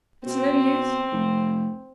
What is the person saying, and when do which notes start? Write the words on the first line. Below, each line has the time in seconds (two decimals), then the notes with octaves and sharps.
It's no use.
0.26 B2 C4
1.12 F1